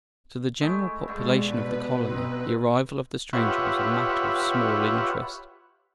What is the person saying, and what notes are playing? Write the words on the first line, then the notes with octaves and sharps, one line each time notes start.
To the general population of the colony the arrival of the stranger was a matter of small interest.
G#3 A3 E4
G2 D3 G#3 C#6
B2 B4
C4 D#4
F4 G4 B4 C#5 E5 F#5